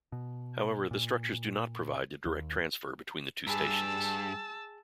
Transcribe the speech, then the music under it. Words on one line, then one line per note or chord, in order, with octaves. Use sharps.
However, the structures do not provide a direct transfer between the two stations.
B2
A#2
D#2
G2 G#4 A5 B5 E6